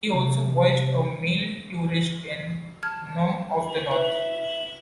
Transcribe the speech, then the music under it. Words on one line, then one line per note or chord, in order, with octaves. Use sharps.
He also voiced a Male Tourist in "Norm of the North".
C3
A5 F6 G#6
B4 E5